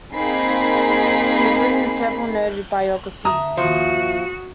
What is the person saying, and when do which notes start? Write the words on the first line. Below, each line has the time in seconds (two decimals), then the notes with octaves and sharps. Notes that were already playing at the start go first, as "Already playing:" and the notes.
She has written several noted biographies.
0.15 A#3 C4 D#4 G#4 B5 C7
3.25 D3 E5 A5 A#5 D#6
3.57 D#2 F3 E4 F#4